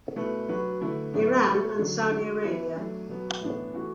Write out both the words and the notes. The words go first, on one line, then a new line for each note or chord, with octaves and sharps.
Iran and Saudi Arabia.
B2 A3 E4 B4
F#3 D4 F#4 B4
D3 A3 E4 B4
A2 F#3 B3 D4
B2 A3 F#4 A4
D3 F#3 D4
A3 D4 F#4 A4
E3 B3 E4
F#3 A3 D4
B2 F#3 B3
A2 E3 B3 D4
E3 A3 F#4